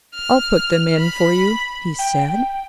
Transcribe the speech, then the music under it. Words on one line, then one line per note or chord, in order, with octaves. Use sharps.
"I'll put them in for you," he said.
F6
B5
G5
G5